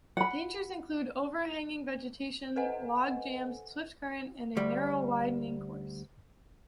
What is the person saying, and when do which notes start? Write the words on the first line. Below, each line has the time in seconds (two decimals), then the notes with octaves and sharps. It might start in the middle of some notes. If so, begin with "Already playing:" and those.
Dangers include overhanging vegetation, logjams, swift current, and a narrow winding course.
0.17 F#5 B5
2.56 A4 B4 C5 D#5 F#5 G#5
4.57 D2 G3